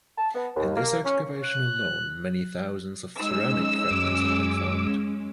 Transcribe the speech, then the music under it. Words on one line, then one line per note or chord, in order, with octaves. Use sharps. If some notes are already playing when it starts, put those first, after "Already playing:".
In this excavation alone many thousands of ceramic fragments have been found.
A5
B3
D#2
A#3
C#4
F#6
G#3 C#4 D#4 E6
F#2 D6